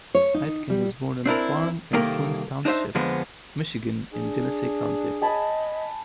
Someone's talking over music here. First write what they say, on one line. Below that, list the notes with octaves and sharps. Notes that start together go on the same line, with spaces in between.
Aitken was born on a farm in Flint Township, Michigan in Genesee County.
C#5
D#4
G3
C4 D4 E4 A#4
C2 D#3 A#3 G4 A4 A#4
D4 D#4 C5 D#5 E5
F2 D3 F3 G#3 B3
D4 G#4
D#5 G#5 A5 B5